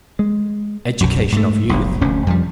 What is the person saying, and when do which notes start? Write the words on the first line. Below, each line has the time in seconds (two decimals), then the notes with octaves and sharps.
Education of Youth.
0.19 G#3
1.01 B1 F#2
1.32 G#2 A3
1.69 F1 B1
2.01 F1 D2 C#4
2.27 F2 F3 G3